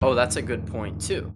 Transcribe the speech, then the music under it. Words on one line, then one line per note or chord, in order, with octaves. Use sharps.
Oh, that's a good point, too.
E2 G#2 D3 D#3